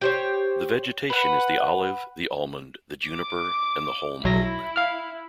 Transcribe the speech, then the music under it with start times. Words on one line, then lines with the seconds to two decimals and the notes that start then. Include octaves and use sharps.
The vegetation is the olive, the almond, the juniper and the holm oak.
0.01 G4 C5 C#5
1.10 B4 F#5
3.07 D6
4.24 B1 F#3 E4 A#6
4.76 F5 F6